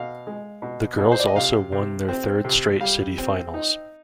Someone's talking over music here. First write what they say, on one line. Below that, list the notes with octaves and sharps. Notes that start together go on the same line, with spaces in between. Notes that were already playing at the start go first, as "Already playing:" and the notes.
The girls also won their third straight city finals.
Already playing: B2 F5
G#3
B2
B2
C5
D5
D#5
C3 F5
C3
C4
C3
G3 F5
C4
D#4